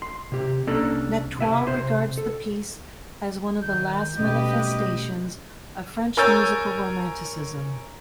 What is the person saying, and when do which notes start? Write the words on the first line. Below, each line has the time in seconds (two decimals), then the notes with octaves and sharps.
Nectoux regards the piece as one of the last manifestations of French musical Romanticism.
0.02 C6
0.32 C3 G4
0.67 C2 A#3 C#4 D4 A4 A#5
1.39 C3 E5 G#5
1.67 C3 C5 C6
2.17 A4
3.62 D#3 G6
4.18 B2 G3 A3 C#4 G4 B4 D#5
6.17 A#4 C#5 G#5 E6 G6 A6